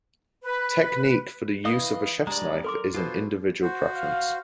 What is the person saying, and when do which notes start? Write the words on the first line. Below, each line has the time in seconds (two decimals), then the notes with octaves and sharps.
Technique for the use of a chef's knife is an individual preference.
0.43 B4
1.65 E3 D#5 F5 D#6
2.27 G2 G#3 D5 A#5
2.64 A4 A#4 C6 D6
2.94 B2 F4 C5
3.62 F#4 C5
3.95 F5